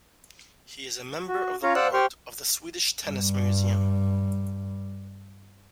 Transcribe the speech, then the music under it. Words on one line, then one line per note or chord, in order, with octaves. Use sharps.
He is a member of the board of the Swedish Tennis Museum.
F#4
C#4 F4 C#5 F5 A#5
C5 D5 F5 F#5 E6 F#6
G4 C5 G5 C6 C#6 F6
G2 G3